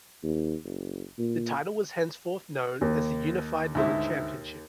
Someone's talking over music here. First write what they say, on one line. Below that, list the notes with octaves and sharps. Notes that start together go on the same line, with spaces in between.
The title was henceforth known as the Unified World Championship.
D#2
F#1
A#2
D#2
D2 G#2 E4